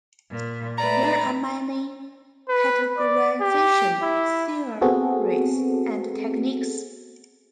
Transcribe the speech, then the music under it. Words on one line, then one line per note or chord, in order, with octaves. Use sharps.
There are many categorization theories and techniques.
A#2
A3 B4 D5 A#5
B4
D5
G4
E4
B3 C4 F#4 G#4 A4